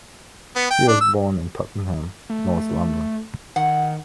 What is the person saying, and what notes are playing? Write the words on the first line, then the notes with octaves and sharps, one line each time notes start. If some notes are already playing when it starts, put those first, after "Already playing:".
He was born in Tottenham, North London.
B3
G5
D4
E6
A3
D#3 F#5